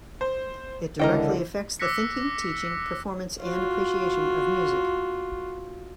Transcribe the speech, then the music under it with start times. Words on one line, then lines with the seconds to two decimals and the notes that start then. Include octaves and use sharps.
It directly affects the thinking, teaching, performance and appreciation of music.
0.21 C5
0.99 C#2 D3 E3 A#4 D#5 G5
1.79 D6 E6 F#6 A#6 B6 C#7
3.42 F4 F#4